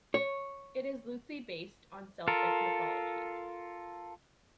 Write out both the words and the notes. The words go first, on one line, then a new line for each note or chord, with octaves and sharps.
It is loosely based on Celtic mythology.
C#5
F4 A4 A#4